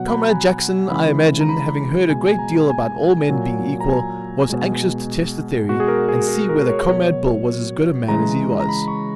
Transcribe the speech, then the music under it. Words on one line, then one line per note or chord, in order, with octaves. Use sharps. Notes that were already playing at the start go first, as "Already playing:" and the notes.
'Comrade Jackson, I imagine, having heard a great deal about all men being equal, was anxious to test the theory, and see whether Comrade Bill was as good a man as he was.
Already playing: B2 F#3 F#5
B5
A#5
G#5
C#3 E3 G#3 B5
A#5
B5
B2 G#3 G#5
G#5
A#5
G#5
A#2 F#3
A#5
G#5
B2 G#3
B2 G#3 F#4
G#4
A#4
G#4
G#4
A#4
C#5
B2 F#3 C#5
C#3 E3 G#3 A#5
A#5
B5
C#6